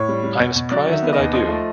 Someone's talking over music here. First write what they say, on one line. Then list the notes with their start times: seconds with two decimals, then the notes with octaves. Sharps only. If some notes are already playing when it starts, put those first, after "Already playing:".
I am surprised that I do.
Already playing: A2 C#5
0.09 G3
0.24 G3
0.40 B2
0.55 B2
0.71 F#3 D5
0.86 D#3
0.92 E5
1.02 B3
1.13 D#5
1.18 D#2
1.33 F3 D#5
1.49 A3